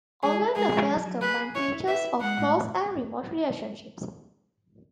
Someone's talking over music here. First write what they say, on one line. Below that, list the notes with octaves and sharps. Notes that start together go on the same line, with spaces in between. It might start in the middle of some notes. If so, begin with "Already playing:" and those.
Online affairs combine features of close and remote relationships.
G#3 G#4
E4
G#3 G#4
G#3
F#3
F#3
G#4 B4
G#4
E4 C#5
E4
B4 E5
E4
G#3 F#5
A2